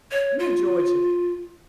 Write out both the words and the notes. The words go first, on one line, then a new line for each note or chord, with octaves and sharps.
I'm in Georgia.
C#5
F4